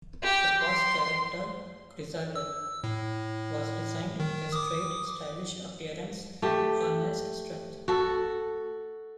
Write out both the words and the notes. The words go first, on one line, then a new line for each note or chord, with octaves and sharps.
The boss character, Krizalid, was designed with a straight, stylish appearance and earnest strength.
G4
C6
E6
A2
D#3
D6 D#6
A3 G4
F#4 A4